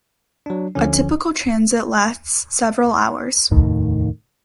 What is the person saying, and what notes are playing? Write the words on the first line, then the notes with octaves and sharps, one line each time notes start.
A typical transit lasts several hours.
F#3 D4
D2 D3 F3 C#4
F1 D#2 A2 D#3